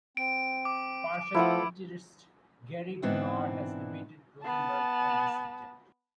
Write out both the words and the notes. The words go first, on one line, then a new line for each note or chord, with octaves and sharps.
Partial preterist Gary DeMar has debated Rosenberg on this subject.
C4 D7
D6
F3 A3 E4 A4 B4 F#5
G#2 E3 B3 C4 D4 E4
B3 A5